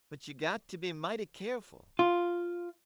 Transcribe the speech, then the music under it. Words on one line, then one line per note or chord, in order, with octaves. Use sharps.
But you got to be mighty careful.
F4